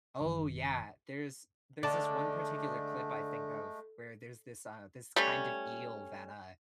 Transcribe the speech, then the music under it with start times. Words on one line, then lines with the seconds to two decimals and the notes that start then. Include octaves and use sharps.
Oh, yeah. There's there's this one particular clip I think of where there's this, uh this kind of eel that, uh
0.21 F#1 D#3
1.83 D3 G#3 A3 D5 A5
5.16 G3 A3 C#4